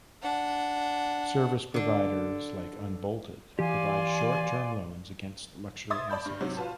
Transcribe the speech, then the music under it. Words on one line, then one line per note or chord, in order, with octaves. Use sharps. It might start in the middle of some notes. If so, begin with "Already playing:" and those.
Service providers like Unbolted provide short term loans against luxury assets.
D4 F#5
D3 D4
E3 G4 D5 F5 G#5 C6
E5 C6 D#6 G#6 A6
D5 A5 B5 G6
G2
G#2 C3 F#3
F4 F#4 B4 A5